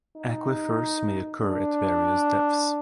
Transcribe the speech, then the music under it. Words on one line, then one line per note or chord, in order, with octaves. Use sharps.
Aquifers may occur at various depths.
D#4
D4